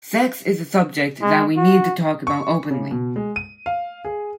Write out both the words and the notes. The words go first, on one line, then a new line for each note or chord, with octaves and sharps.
Sex is a subject that we need to talk about openly.
G#3
F#4
C#6
C#3
B2
G#3
D#7
F5
G#4